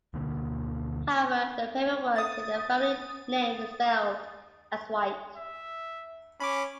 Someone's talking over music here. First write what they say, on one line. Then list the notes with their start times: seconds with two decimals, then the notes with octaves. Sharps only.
However, the paperwork had their family name misspelled as "White".
0.14 D2 B2 D3 A#3
2.16 D#6 A6
5.37 E5
6.40 C#4 B5 D6